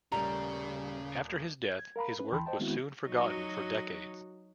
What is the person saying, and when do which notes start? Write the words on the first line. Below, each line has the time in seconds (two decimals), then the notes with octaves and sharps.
After his death his work was soon forgotten for decades.
0.12 D#1 C#3 G3 A3 A#4 A#5
1.79 G#6
1.96 A#4 F5 A#5 B5
2.19 C#4 B4
2.32 D#2 E3 G5 A5 B5 C6
2.46 C5 D#5 G5 A5
2.59 D#3 G#3 B3 C4 E4 F#4
3.07 F#3 D#4 F#4